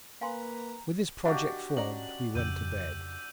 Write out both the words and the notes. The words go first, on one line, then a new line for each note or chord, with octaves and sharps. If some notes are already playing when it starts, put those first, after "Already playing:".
With this project formed, we went to bed.
A#3 B4 F5 G#5 A#5 C6
D#3 D4 F#4 G4 E5 F5
C#4 D#4 D5 A#5 F#7
F2 C#3 G5 E6 G6 D#7